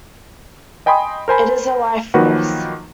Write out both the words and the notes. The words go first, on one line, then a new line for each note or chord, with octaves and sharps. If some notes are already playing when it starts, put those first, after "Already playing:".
It is a life force.
D#5 G5 G#5 B5 C6 D#6
A#4 C5 G#5 B5
D#3 F3 F#3 A#3 F#4 B4